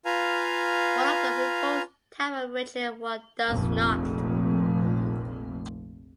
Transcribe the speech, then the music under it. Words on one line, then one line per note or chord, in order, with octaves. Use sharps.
One of them involves time-averaging, and one does not.
F4 B4 F5 G#5 A#5
F1 A#1 F2 A#2